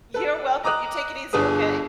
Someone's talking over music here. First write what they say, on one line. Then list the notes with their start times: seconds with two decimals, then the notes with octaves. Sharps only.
You're welcome, you take it easy, okay?
0.14 A4 B4
0.64 D#5 A#5 D6 D#6 F#6
1.33 G1 D4 G#4 B4 D#6